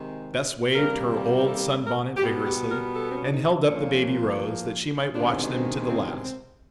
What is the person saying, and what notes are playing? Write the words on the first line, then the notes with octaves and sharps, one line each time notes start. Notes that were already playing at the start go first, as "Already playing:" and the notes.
Bess waved her old sun-bonnet vigorously, and held up the baby Rose, that she might watch them to the last.
Already playing: C3 D#3 G#3
C3 D#3 G3 A#3 A#4
A4
A#4
G4
B2 G3 B3 F#4
G4
A#4
A4
C4
C#4
D4
D#4
A#2 F3 A#3 C#4
D2 C3 D#3 G#3 B3 D4
C4
C4
C4